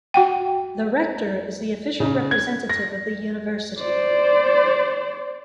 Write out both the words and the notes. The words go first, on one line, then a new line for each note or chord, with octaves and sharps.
The Rector is the official representative of the University.
F#4 F#5 G5
C#3
G#6
A#6
C5 D5